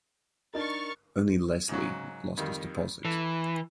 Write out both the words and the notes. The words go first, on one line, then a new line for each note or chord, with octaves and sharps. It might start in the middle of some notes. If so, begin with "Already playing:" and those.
Only Leslie lost his deposit.
D4 D#4 A#4 C#6 F6 A6
G#2 C#3 F#3
F2 D#3 G3
E3 A4